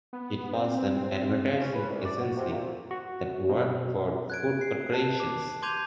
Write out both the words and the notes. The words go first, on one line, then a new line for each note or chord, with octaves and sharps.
It was an advertising agency that worked for food corporations.
B3
C4
F3
C#4
B4
C2
D5
F#4
C3
A#2
F#4
B2
F#6 G#6 D7
C7
A5
D6
C6 D6 G6 G#6 D#7 F7